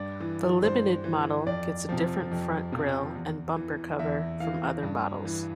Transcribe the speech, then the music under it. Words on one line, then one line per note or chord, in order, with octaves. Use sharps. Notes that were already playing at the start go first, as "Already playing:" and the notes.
The Limited model gets a different front grille and bumper cover from other models.
Already playing: G2 D5
E3
G2 C5
E3
F2 D5
C3 F3
F2
C3 F3
E2
E3
E2 E5
E3 F5
G2
E3